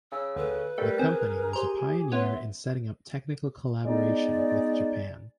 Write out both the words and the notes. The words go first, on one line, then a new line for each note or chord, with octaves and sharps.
The company was a pioneer in setting up technical collaboration with Japan.
C#3 E6
D2 A4 B4
G3 A3 A#4
C4 G#4
G4 A#4 C5
B3 C#4 E5 C6
G#3 B3 D#4 D5